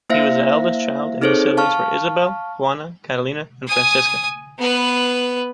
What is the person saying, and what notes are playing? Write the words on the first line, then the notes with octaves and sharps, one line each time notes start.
He was the eldest child and his siblings were Isabel, Juana, Catalina and Francisca.
A#3 E4 C5 E5 F5 A#6
C4 D#4 G#4 A4 C5 C#5
F5 A5 C#6 F6
G#5 D#6
B3 B4